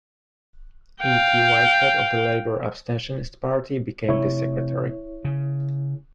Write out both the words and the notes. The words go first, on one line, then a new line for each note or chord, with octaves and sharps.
E. T. Whitehead, of the Labour Abstentionist Party, became the secretary.
F5 G5
C3 A3 E4 C#5
C#3